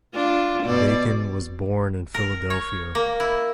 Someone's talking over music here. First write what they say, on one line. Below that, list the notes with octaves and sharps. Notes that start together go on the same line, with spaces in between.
Bacon was born in Philadelphia.
D4 F4
B2 D5
A#4
C#5
A#3
E4